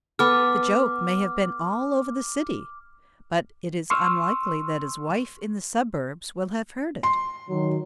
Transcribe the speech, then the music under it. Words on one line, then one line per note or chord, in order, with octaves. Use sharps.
The joke may have been all over the City, but it is unlikely that his wife in the suburbs will have heard it.
B3 A4 D6 F6
C6 C#6 E6 F6
C6
D#3 F#3